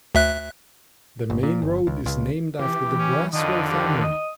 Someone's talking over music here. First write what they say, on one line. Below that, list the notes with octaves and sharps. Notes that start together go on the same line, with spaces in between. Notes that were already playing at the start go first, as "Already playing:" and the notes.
The main road is named after the Braswell family.
D2 E5 F#6
G1
A#2
G1
C#2
C#2
E3 G4
C#4
F2 D3 D#3 D#5
G4
D#5